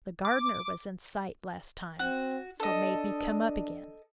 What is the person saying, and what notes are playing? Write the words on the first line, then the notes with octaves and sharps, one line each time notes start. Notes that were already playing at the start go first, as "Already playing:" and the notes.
The gardener was in sight last time; so made me come up again.
D6
C4 F#4
D4 A4 D#5